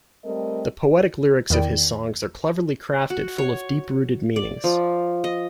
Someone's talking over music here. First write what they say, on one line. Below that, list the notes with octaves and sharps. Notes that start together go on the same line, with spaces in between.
The poetic lyrics of his songs are cleverly crafted full of deep-rooted meanings.
G3 A3 C4 A4 A#4 D#5
E2 D#3 E4 D5 G5
F#4
C#5
D5
F3
D#5